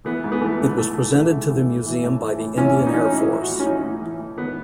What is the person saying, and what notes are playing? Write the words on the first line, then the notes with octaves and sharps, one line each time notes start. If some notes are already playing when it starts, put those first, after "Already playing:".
It was presented to the museum by the Indian Air Force.
E3 B3
G#2
B3
E3 A3
G#2
E3 A3
G#2
E3
G#2
E3
A2
E3
A2
E3
A2
E3 C#4
A2
D#4
E3 C#4
D#4
A2
E4
E3
F#4
A2
C#4
E3 D#4
A2
E3
A2
D#3 B3